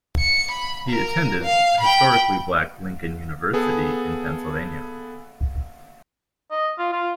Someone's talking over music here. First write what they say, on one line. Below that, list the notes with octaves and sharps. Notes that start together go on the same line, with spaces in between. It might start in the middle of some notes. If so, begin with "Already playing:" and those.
He attended historically black Lincoln University in Pennsylvania.
C#7
B5
A#4
F5
G5 B5
B3 G#4 A4
D#5
F4
F4